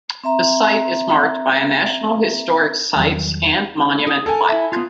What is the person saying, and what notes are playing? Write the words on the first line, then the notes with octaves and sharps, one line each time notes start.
The site is marked by a National Historic Sites and Monument plaque.
C4 E5 A#5
E2 D#3 F#3 G3
G#4
A4 A#4 G#5
E4 E5
B3 F4